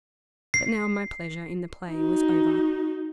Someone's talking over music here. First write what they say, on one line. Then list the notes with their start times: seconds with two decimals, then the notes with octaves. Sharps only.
But now, my pleasure in the play was over.
0.54 C7
1.92 D#4 F#4